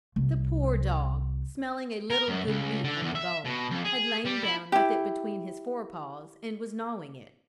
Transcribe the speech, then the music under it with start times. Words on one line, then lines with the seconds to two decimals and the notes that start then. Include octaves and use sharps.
The poor dog, smelling a little good meat on the bone, had lain down with it between his fore paws and was gnawing it.
0.16 C2 C3
2.10 A#4
2.28 F#2
2.47 C#2
2.84 D3
3.02 E2
3.15 E5
3.45 B2
3.71 F2
3.85 G#4
4.26 G3
4.43 E4
4.72 E4 G4